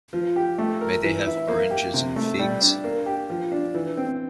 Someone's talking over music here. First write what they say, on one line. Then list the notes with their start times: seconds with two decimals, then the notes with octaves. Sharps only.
May they have oranges and figs?
0.13 F3
0.36 G4
0.58 A3
0.81 A#4
1.04 E3
1.26 E4
1.48 A#3
1.71 G4
1.94 C3
2.16 A3
2.39 G3
2.61 D4
2.84 A#3
3.06 G4
3.30 F3
3.52 D4
3.74 E3
3.97 C4